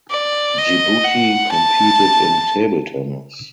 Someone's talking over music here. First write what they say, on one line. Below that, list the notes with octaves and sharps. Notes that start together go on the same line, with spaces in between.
Djibouti competed in table tennis.
D5
D#5
F#5
A5